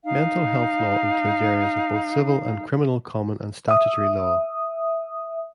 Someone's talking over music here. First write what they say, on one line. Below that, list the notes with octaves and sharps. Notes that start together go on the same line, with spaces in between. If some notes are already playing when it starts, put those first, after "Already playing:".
Mental health law includes areas of both civil and criminal common and statutory law.
D#4 F5
E5 D#6